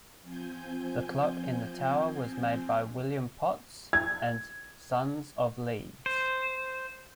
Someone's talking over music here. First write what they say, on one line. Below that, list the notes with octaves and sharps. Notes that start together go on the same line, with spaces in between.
The clock in the tower was made by William Potts and Sons of Leeds.
F3 C4 G#5 G6
G#6
C5